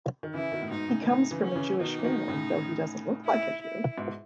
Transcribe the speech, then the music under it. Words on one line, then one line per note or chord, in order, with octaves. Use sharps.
He comes from a Jewish family, though doesn't look like a Jew.
D#3
C#3 E3 E4
B2 D#3
A2
G#2 B2 D#4
A2 C#3
D#3
A2 C#3 D#4
C#3 E3
C#4
C#3 E3
B2 D#3 D#4
E3
B2 D#3
A2 C#3
E4
E4
G#2 B2